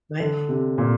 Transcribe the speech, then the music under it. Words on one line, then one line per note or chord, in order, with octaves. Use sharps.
my thing.
D3
C3
A#2